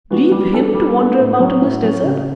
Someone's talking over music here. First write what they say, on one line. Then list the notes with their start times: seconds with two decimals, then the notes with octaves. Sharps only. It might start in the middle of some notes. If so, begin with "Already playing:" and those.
Leave him to wander about in this desert!
0.10 E3 B3 D4 F#4
0.31 G3
0.53 B3 D4 A4
0.74 G3
0.97 B3 D4 A4
1.18 A2
1.40 F#3 C#4
1.62 A2
1.83 F#3 C#4
2.04 C#3